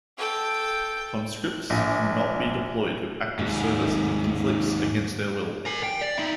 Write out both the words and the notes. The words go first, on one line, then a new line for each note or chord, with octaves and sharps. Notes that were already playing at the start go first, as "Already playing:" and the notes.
Conscripts could not be deployed to active service in conflicts against their will.
A4 G5
A#1
D#2 G#2
A#4 G#5
G5
D5
D#4 E4